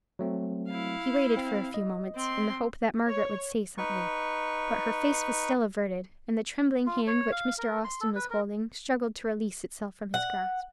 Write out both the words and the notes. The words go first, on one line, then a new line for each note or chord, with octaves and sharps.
He waited for a few moments, in the hope that Margaret would say something; but her face was still averted, and the trembling hand which Mr. Austin was holding struggled to release itself from his grasp.
F#3 A3 C4
E4 F5
C4
D#5
C4 C6
C#5
D#4 B4 C#6
F4
C#5
F5
A#4
C6
A4
B4
A#4
F#5